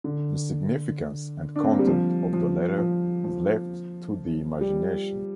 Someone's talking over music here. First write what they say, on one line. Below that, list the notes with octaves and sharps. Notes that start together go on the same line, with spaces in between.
The significance and content of the letter is left to the imagination.
D3
D4
C4
A#3
G3
F3
F3
F3
F3
G3